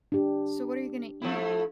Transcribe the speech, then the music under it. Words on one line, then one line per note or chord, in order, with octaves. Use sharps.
So what are you gonna eat?
D4 G4
F3 A3 E4